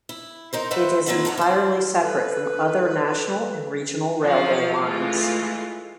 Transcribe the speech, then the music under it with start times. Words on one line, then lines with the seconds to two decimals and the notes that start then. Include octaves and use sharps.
It is entirely separate from other national and regional railway lines.
0.09 E4
0.53 D#4 A#4 C5
0.71 A3 B4 C5 E5 F#5
1.06 A#3 C4 F4 B4 E5 F#5
1.25 A4 F#5 A5 A#5
1.38 E4 C5
2.02 A4 B4
4.23 F3 F#3 C5 F5
4.84 E3 G#3 A3 F4